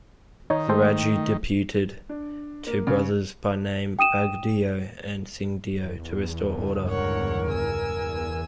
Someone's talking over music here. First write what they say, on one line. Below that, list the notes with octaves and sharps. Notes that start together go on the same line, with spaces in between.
The Raja deputed two brothers by name Baghdeo and Singhdeo to restore order.
D#3 D#4 C#5
A3 A4 C5 G5
D4
A#3
C#3
G5 D#6 D#7 E7
E2
C#2 G2 D3
A#4 C#5 F#5
G#5 E6